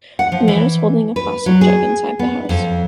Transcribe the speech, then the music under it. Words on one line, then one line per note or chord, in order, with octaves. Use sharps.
A man is holding a plastic jug inside the house.
F#5
F3
E3
B4
F#3
G#4
B3
F2